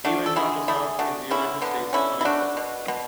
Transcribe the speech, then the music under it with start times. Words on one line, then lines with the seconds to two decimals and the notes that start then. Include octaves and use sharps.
He went on to serve in the United States Marine Corps.
0.05 A3 D4 F#4
0.26 A4
0.36 D3 E4 G#4
0.68 A3 E4 G#4
0.99 A3 D4 F#4
1.31 D3 C#4 E4
1.61 D3 B3 D4
1.93 D3 C#4 E4
2.21 E4
2.25 A3 D4 F#4
2.57 B2
2.88 B2